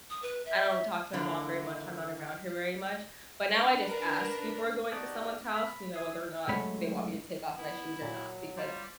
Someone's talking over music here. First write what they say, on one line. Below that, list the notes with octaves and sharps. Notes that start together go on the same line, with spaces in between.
I don't talk to my mom very much. I'm not around her very much, but now I just ask before going to someone's house, you know, whether or not they want me to take off my shoes or not because
D#6
B4
E5
D3 E3 A#3
D4 B4
D4 A#4
D#4 F#4 G4 D5 A5
B5
G#4
F#2 C#3 G#3 A3 C#5 B5
B3 E4
A#2 F#3
G3 F4 C5 D5